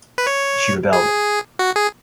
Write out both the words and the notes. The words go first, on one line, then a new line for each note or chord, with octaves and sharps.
She rebelled.
B4
C#5
G#4
F#4
G#4